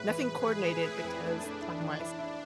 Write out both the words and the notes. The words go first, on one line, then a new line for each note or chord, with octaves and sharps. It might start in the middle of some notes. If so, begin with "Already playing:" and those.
nothing coordinated because timewise
Already playing: A2 G#3 B4
E3
G#3 G#4
E3
G#3 E4
A2
F2 D4
A3
A3
E4
E3
E4
E4